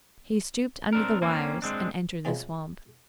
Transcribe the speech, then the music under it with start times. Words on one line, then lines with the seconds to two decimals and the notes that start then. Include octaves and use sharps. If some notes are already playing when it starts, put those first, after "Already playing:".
He stooped under the wires and entered the swamp.
0.93 C4 D4 A#4
1.22 A#3 C4 C#4
1.62 G#3 C4 D4
2.25 C3 F3 G3 G#3 C4 C#4